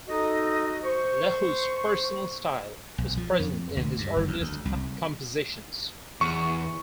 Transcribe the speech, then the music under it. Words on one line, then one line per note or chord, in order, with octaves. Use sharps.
Lekeu's personal style was present in his earliest compositions.
D#4 F#4 A4 D#5
C5 C#6
B1
F3
F2
D2
G2
G1
E2
D2
C2
E2 C#6